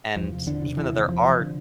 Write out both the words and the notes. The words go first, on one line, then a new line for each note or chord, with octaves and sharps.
and even though there are
E2 F3
C3
E2 D3
C3
E2 E3
C3
E2 F3
C3
D3